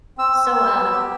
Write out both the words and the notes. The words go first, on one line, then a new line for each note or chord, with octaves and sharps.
so, uh,
C4 E6
C4
C4
B3
G4